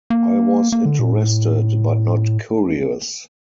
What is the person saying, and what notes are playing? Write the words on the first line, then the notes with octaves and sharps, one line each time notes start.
I was interested, but not curious.
A#3
A#3
D3
A#2
A2